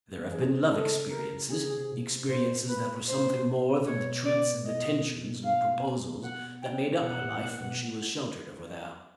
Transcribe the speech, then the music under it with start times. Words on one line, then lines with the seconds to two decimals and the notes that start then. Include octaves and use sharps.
There have been love experiences; experiences that were something more than the treats and attentions and proposals that made up her life when she was sheltered over there.
0.18 E3
0.32 G#4
0.45 C#3
0.55 C3
0.65 C#3
0.71 A4
1.10 A#4
1.50 C#3 G#4
1.77 C3
1.92 B2
2.02 C3
2.28 A#2 C5
2.69 B4
3.07 C5
3.86 B2 C#5
4.25 D5
4.65 D#5
5.44 F5
6.23 F#5
6.62 G5
7.01 B2 F#5
7.22 A2
7.41 A#2
7.60 B2